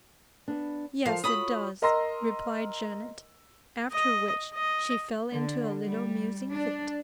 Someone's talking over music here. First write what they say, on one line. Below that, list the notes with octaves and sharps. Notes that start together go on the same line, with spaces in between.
"Yes, it does," replied Janet, after which she fell into a little musing-fit.
B3 D4
F3 A4 A#4 F5
F4 F#4 C#5 B5 D#6
A#4 D#5 A#5 C6 E6 A#6
D#5
D#5
D3
G3
D4